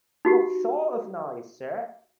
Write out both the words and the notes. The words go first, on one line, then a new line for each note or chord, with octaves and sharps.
What sort of noise, sir?
D#4 F#4 G4